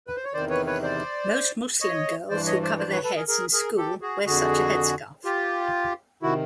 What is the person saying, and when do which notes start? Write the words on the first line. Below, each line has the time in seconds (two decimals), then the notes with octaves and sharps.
Most Muslim girls who cover their heads in school wear such a headscarf.
0.07 B4
0.16 C5
0.24 C#5
0.34 E2 C3 D#3 C5 D5
0.50 B4 C#5
0.66 B4 C#5
0.82 C5 D5
1.81 C#5 D#5
2.30 G2 E3 C5 D5
2.46 C#5 D#5
2.63 C5 D5
2.79 C5 D5
2.91 B4 C#5
3.03 A4 B4
3.16 G#4 A#4
3.28 G#4 A#4
3.53 G#4 A#4
3.77 G4 A4
4.02 F#4 G#4
4.26 F2 D3 F#4 G#4
5.24 F4 G4
6.22 C3 D#3 E4 F#4